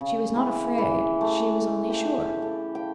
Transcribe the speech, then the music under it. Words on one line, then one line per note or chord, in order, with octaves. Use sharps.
She was not afraid; she was only sure.
C#3
E3
E3
A3
G4
A4
G5